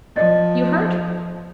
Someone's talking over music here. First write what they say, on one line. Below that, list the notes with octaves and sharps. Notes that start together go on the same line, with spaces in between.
You hurt?
F3 D5 D#5 A6